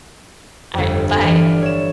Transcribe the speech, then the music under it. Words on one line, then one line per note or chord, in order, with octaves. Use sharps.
Alright, bye.
G1 F2
E3 D5 F5 D#7
C#5 E7